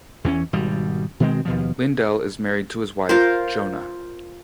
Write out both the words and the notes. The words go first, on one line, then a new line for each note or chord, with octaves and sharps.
Lindell is married to his wife Johna.
E2 E3 B3 C#4
G#1 B2 G3
B2 D#3 G#3 C4
D#2 B2 F3
F4 A#4 C5